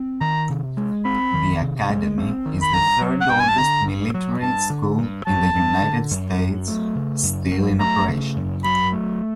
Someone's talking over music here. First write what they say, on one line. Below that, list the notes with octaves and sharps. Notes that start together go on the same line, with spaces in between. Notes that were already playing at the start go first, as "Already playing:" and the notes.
The Academy is the third-oldest military school in the United States still in operation.
Already playing: C4
D#3 A#5
C3
G#3
C4 B5
D#3
C3
G#3
C4
D#3
B5
G2 A#5
F#3
F#5
G2 G5
G#5
A5
D3 A#5
G2
F#3
G2 A5
D3
G2
F#3 A5
G2
D3
F#2
F#3
A3
C#3
F#2
F#3
A3 A#5
C#3
F#2
F#3 B5
A3